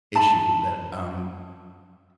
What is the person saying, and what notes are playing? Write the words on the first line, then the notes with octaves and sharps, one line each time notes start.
issue that, um
A5 B5